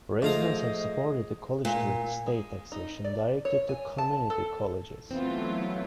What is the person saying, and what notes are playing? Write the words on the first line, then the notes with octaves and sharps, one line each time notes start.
Residents have supported the College through state taxation directed to community colleges.
G#2 F3 A3 F4 C5 D#5 F5 A#5
A#2
G#3
D#4
D5
C#5
G#5
A5
A4
E3 F#3 A3 B3 C4 E4 F4